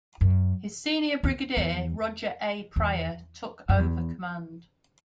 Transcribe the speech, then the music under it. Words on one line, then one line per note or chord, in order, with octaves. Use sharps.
His senior brigadier Roger A. Pryor took over command.
F#2
E2
E2
E2
F#2
E2